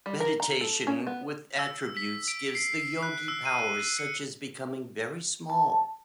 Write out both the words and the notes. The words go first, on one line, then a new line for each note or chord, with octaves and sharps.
Meditation with attributes gives the yogi powers such as becoming very small.
G3
A#4
A#5
A4
C#4
B3
E6
B6
D7
C7
F#6
E6
D#7
C#7
A5